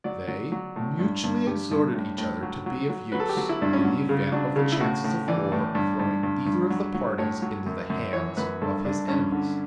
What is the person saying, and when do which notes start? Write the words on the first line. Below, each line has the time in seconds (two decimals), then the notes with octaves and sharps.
They mutually exhorted each other to be of use in the event of the chances of war throwing either of the parties into the hands of his enemies.
0.04 F#3 D5
0.28 F#3
0.52 F#3
0.76 A2
0.99 G2
1.24 G2
1.47 G2 G4
1.71 G2
1.94 A2
2.18 A2
2.43 F#3
2.66 F#3
2.89 F#3
3.12 F#3 B4
3.20 A4
3.29 G4
3.37 F#3 F#4
3.49 E4
3.61 G2 D4
3.73 C#4
3.84 F#3
4.09 C#3
4.32 F#3 D4
4.56 C#3
4.72 E4
4.81 A2 F#4
5.04 A2
5.28 E3 D5
5.52 A2
5.75 G2
5.99 G2
6.23 G2
6.46 G2
6.70 F#3
6.94 F#3
7.18 A2 C#5
7.42 F#3
7.66 F#2
7.90 F#2
8.13 E3 C#5
8.37 F#2 B4
8.62 G2 A4
8.84 G2 D4
9.08 G2 C#4
9.32 D3